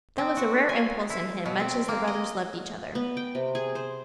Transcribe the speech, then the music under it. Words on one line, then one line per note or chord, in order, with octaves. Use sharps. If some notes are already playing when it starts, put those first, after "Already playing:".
That was a rare impulse in him, much as the brothers loved each other.
C4
F#4
G#5
E4
B2
C4
A#3
D#5
B3
G5
C3
G#4
C5